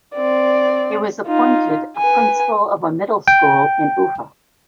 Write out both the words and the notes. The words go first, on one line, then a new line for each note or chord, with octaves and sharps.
He was appointed a principal of a middle school in Ufa.
C4 D5
D#4 F4
B4 G#5
G5